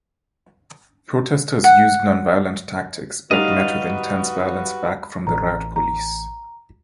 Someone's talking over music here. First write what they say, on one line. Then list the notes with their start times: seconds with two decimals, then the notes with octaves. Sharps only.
Protesters used nonviolent tactics but met with intense violence back from the riot police.
1.64 F#5
3.31 G3 D#4 F#4 B4 D#5 F5
5.27 A1 A#5
5.76 A#5